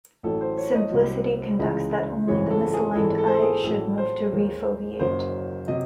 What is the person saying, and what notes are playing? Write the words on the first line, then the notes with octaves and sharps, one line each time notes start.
Simplicity conducts that only the misaligned eye should move to refoveate.
A1 A2 F#3 A4
C5
C#5
D#5
C2 C3 F#3
C#2 C#3 E3 G#3
G#1 F#2 C#3 E3 G#3 C#5
A4
G#4
G#1 G#2 E3 G#3 A4
A4
C5
A4
G#4
A1 A2 F#3 A4
C5
D#2 D#3 G#3
F#1 F#2 D#3 F#3 C5
C3 F#3 D#5